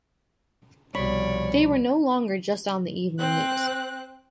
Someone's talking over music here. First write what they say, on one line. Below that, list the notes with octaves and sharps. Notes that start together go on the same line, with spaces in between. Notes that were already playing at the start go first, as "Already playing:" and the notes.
They were no longer just on the evening news.
C2 B2 F3 C#5 D5 B5
C4 F#6